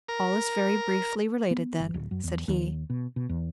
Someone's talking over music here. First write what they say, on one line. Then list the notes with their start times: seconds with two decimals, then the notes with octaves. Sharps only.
"All is very briefly related, then," said he.
0.09 A#4
1.51 B3
1.80 G1
1.94 D1
2.11 F#2
2.24 E2
2.48 D#2
2.90 B2
3.16 B2
3.29 E2